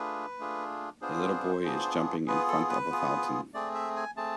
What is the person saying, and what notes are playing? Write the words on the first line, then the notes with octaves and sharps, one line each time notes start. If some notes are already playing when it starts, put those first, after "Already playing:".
A little boy is jumping in front of a fountain.
Already playing: A3 D4 F4 G#4 B4
A3 D4 F4 G#4
B3 D4 F4 G#4 C5
B3 D4 F4 G#4
B3 F4 G#4 B4
A4
B4
B3 F4 G#4
A3 C4 G#4 D5
E5
G#5
A3 C4 G#4 A5